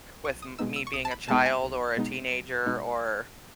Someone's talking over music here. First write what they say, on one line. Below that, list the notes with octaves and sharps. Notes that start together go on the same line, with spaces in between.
with me being a child or a teenager or
B1 C#6
D#6
B2 G#3 B3 D#4 E6
E6
C#6
B1 D#6
A5
B5
B2 G#3 B3 D#4 A5
G#5
B1
B2 G#3 B3 D#4
B1
B2 G#3 B3 D#4